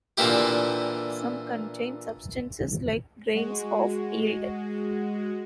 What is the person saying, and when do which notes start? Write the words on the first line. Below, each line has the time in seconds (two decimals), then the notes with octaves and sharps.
Some contain substances like grains half peeled.
0.17 A#2 D3 E3 A#3 E4 G4
3.35 G#3 F#4